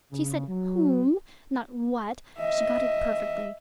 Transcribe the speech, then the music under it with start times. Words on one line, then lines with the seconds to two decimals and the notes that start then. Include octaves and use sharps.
She said 'whom,' not 'what.' She got it perfectly.
0.12 C#3
0.48 F#3
2.38 D#5 E5